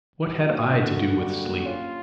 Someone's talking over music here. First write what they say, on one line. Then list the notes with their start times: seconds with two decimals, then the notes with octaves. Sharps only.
What had I to do with sleep?
0.24 G3 F#4
0.48 A#3
0.71 D3
0.95 G2
1.19 G3
1.42 A#3
1.65 C#4 F4